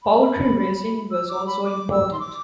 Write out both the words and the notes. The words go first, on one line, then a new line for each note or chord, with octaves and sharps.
Poultry raising was also important.
B5
E6
D6
B5
D6
E6
C6
D6